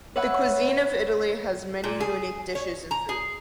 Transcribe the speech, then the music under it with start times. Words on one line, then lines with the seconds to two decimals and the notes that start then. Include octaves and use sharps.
The cuisine of Italy has many unique dishes and foods.
0.16 B4 C#5 E5 F#5
1.84 A#2
2.00 G#4
2.55 C#5
2.91 A#5
3.09 G#4